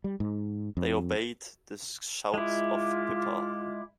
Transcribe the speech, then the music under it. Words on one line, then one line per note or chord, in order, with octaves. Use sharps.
They obeyed the shouts of Pippa.
G3
G#2
F2
G#3 E4 F4 D6